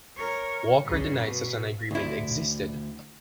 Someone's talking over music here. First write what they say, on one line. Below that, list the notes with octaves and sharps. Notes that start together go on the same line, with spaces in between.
Walker denied such an agreement existed.
A#4 C#5
G2 C#3
B2
D2 E4